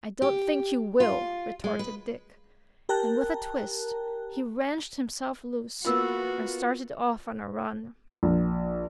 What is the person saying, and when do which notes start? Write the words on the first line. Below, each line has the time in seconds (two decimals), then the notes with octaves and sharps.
"I don't think you will!" retorted Dick, and with a twist he wrenched himself loose and started off on a run.
0.22 G4
1.00 F4
1.64 G#3
1.79 B4
2.89 G4 A#4 G5 A5 A#5 F#6
5.85 A#3 B3 F4 F#4 B4 E6
8.23 A#1